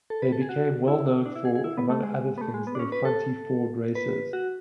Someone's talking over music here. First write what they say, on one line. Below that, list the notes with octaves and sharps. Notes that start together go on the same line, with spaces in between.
They became well known for, among other things, their Fronty-Ford racers.
A4
B4
A4
G#4
F#4
E4
D4
E4
G#4
G#4
E4
B3
A3
G#3
B3
A3
G#3
B3
D4
C#4
B4
A4
B4
F#4